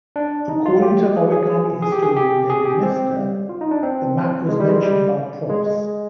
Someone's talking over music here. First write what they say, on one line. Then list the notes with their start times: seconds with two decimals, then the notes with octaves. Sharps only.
According to origami historian David Lister, the map was mentioned by Profs.
0.16 D4
0.49 D#4
0.66 F4
0.82 G4
1.16 G#4
1.32 G#4
1.82 G#4
1.92 G4
2.03 G#4
2.17 G4
2.50 G#4
2.65 G4
2.83 C4
3.16 G3
3.49 F4
3.61 D#4
3.71 D4
3.83 C4
4.49 G#3
4.60 G3
4.69 G#3
4.82 G3
5.49 G#3
5.66 G#3